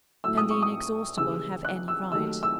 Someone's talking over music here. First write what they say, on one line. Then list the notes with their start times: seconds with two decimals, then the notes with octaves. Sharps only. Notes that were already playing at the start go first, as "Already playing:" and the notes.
Can the inexhaustible have any right?
0.24 A2 F#3 A3 E6
0.37 D#6
0.51 C#6
0.62 D#6
1.18 D#2 C#3 E3 E6
1.65 F#6
1.88 E6
2.12 D#2 D#3 F#3 A3 E6
2.43 E6